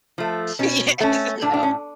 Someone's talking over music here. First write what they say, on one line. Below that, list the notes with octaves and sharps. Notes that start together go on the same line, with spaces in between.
Yes. No.
F3 A3
B2 C#4
A3 C#4
A2 D4
D4
C#4